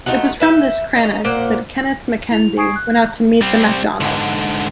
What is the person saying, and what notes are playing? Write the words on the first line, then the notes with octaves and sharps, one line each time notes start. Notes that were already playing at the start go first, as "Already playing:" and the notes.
It was from this crannog that Kenneth MacKenzie went out to meet the MacDonalds.
A3 D#4 F4 F#4
B4 E5 G5
C#4 D#4
A#2 A#3 C5 F#5
E4 F7
G#5 C#6 D#6 G#6 C7 D7
F#6
G3 C4
G#2 D3